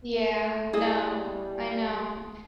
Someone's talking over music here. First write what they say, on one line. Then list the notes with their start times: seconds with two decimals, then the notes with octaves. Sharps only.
Yeah. No. I know.
0.14 A3
0.73 G3 E4 G#4 D#5